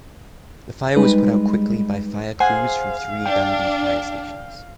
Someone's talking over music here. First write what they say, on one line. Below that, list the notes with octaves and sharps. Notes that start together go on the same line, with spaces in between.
The fire was put out quickly by fire crews from three Dundee fire stations.
G3 G#3 D#4 B4
G#4 C5 F5 F#5 G#5
D4 G5